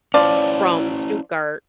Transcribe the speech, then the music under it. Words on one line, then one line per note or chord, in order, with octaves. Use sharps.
from Stuttgart,
F3 C#4 E4 C#5 D5